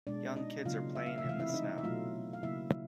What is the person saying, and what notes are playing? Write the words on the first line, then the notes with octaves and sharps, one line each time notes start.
Young kids are playing in the snow.
B2 G#3 D4 D5
D#4 D#5
C#3 F#3 A#3 F4 F5
E5
F5
E5
C3 E3 A3 F5
E4 E5
E5
D#4 D#5
E5
B2 F#3 A3 F4 F5
F5
C#3 F#3 A#3 E4 E5